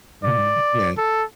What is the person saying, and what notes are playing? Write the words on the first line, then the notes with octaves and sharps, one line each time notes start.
Mhm. Yeah.
D5
A4